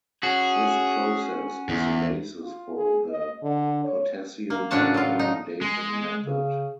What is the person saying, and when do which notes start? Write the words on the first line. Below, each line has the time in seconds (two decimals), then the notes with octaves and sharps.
This process is the basis for the potassium-argon dating method.
0.23 C#4 F#4 G#4
1.69 E2
2.43 F4
2.77 G#4
3.10 D#5
3.42 D3
3.84 C#5
4.50 A#3
4.71 A2 C#3 D4 F#4 A5
4.94 F#3 F4
5.19 D#4
5.61 G#3
6.23 C#3